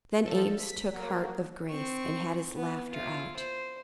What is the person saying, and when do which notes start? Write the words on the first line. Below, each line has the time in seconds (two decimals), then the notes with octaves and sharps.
Then Eames took heart of grace and had his laughter out.
0.24 F3 A4
0.59 B6
0.93 F#3 A#3
1.70 C4 C#6
2.56 B3
2.90 E4 F4
3.37 C5